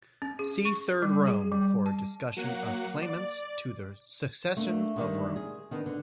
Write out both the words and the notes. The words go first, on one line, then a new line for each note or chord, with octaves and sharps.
See Third Rome for a discussion of claimants to the succession of Rome.
C#4
G#4
C#6
G3
G#4
G3
A5
F#3 A#3 F#5
D5
A3 A#3 D4
D3 D#3 G3
G#4
D#3 B3 D4
D3